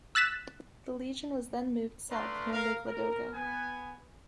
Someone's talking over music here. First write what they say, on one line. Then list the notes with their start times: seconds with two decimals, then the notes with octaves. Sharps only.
The Legion was then moved south near Lake Ladoga.
0.15 E6 F#6 A6 B6 E7
2.11 A3 D4 B4 F5 A#5 C6
2.53 A#4 F5
2.86 A#4
3.34 B3 G#5